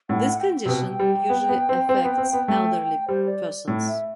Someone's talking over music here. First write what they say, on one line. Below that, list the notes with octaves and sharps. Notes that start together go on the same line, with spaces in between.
This condition usually affects elderly persons.
A2 F#5
G5
C3
B2 G5
G3
B3
B3
C4
C4
B3
C4
B3
A3
G3 C5
D5
A2
E5